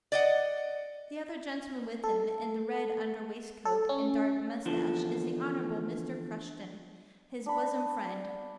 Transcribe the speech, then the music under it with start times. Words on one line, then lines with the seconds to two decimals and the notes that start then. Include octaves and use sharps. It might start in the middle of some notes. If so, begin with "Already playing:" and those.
The other gentleman with him, in the red under-waistcoat and dark moustache, is the Honourable Mr. Crushton, his bosom friend.
0.12 D5 D#5 F#5
2.04 A4
3.65 A4
3.89 C#4
4.66 E2 D3 F3
7.46 D4 B5